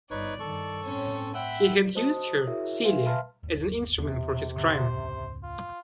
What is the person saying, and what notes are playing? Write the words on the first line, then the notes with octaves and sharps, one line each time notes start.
He had used her, Celia, as an instrument for his crime.
G1 D#4 B4 C#5 D5
G2 D#3 A4 C#6
A2 C4 C#4 C#5
E5 F#5 G5 B5 E6
F#4 C5 D#5 A5 D#6
D#6
E4 F#4 G#4 A#4 C#5 E5
F#4
B4 E5 F5 G#5 C6
E5 F5 A5 B5 C6 F6
G1 D#2
E2 C3
G#2 D3 C5
C#2 G#2 C#3
F4